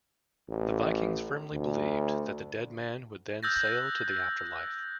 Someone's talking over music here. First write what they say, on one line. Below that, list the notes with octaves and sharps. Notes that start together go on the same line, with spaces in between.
The Vikings firmly believed that the dead man would then sail to the after-life.
A1
D2
D#6 E6 F#6 G6 A6 A#6